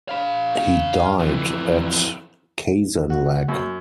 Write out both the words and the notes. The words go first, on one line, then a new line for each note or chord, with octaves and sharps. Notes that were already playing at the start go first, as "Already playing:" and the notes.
He died at Kazanlak.
F5 B5
F2 E3
F#4
F#2